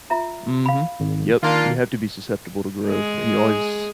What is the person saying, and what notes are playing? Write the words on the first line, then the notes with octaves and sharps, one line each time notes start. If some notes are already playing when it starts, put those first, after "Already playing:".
Mhm. Yep. You have to be susceptible to growth, and you always
F4 E5 A#5
F5 B5
G#1
D#3 A#3 D4 F4
G#3 G#4